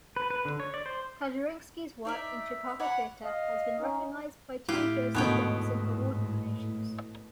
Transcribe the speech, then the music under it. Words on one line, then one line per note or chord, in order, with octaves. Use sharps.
Kazurinsky's work in Chicago theatre has been recognized by two Joseph Jefferson Award nominations.
B4
B4
D3
C#5
D5
C5
D#4 D5 E5
C#5 F#5 B5 D6
D#5 F5
C#4 D#4
A2 E4 F4 G4 G5
D#2 G#2 B2 D3 B3 C#5 G5